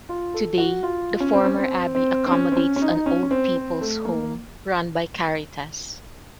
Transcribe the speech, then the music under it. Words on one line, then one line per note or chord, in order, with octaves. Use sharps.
Today the former abbey accommodates an old people's home run by Caritas.
F4
A4
F#4
F4
C#4
C4
C#4
C4
C4
C4
C#4
C4
C#4
C#4
D#4
D#4
C#4
C#4
C4
C4
A3
A#3